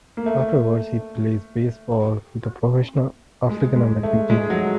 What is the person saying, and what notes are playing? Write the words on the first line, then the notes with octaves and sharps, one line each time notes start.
Afterward, he plays baseball with a professional African-American team.
A#3
A3
G#3
G#3
A3
G#3
F#3